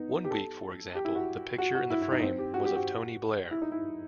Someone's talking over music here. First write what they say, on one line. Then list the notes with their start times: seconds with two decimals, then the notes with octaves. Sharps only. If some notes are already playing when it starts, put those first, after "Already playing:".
One week, for example, the picture in the frame was of Tony Blair.
Already playing: B3 D#4
0.25 G4
0.31 A4
0.95 G4
1.05 E4
1.15 F#4
1.58 F#4
1.75 F#4
1.90 E4
2.02 E4
2.12 D#4
2.22 C4
2.39 G4
2.54 F#4
2.65 G4
2.76 F#4
3.51 E4
3.62 D#4
3.72 E4